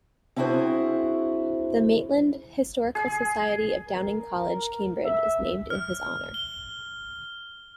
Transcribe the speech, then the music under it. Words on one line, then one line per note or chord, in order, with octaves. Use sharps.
The Maitland Historical Society of Downing College, Cambridge, is named in his honour.
C4 D4 E4 F#4 G#4 C5
G#4
A#4
E5
F6
G7